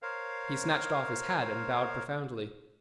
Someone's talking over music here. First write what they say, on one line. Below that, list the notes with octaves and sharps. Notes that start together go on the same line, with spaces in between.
He snatched off his hat and bowed profoundly.
A#4 C5 C#5 F5